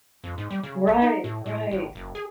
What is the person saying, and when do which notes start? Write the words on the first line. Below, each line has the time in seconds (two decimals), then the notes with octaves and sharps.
right, right.
0.24 F2
0.38 G#2
0.51 G3
0.63 C#3
0.87 A#1
1.02 D#4
1.24 A2
1.46 A2
1.71 G#1
1.95 F#1
2.15 G#4